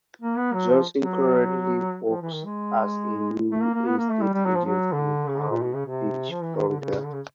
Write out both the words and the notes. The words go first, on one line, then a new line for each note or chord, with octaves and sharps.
Johnson currently works as a real estate agent in Palm Beach, Florida.
A#3
B3
F#3
F3
F#3
F3
E3
D#3
G#3
A3
A#3
A#3
B3
A#3
A3
G3
G3
F#3
F3
F#3
D3
C#3
D3
A#2
B2
C#3
C3
F3
E3
D#3
D3
C#3
D3
C#3